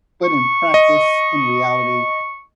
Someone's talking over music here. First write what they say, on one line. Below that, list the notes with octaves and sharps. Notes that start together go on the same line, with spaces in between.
but in practice, in reality,
C#6
D#5